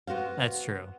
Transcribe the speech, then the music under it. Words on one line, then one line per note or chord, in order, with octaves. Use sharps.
That's true,
B3 F#4 C5 F5